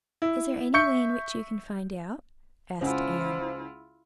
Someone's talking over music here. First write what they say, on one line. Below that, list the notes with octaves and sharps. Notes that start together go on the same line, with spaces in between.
"Is there any way in which you can find out?" asked Anne.
E4
E5 C#6 G6 C#7
C#2 F3 C#4 E4 F4 F#5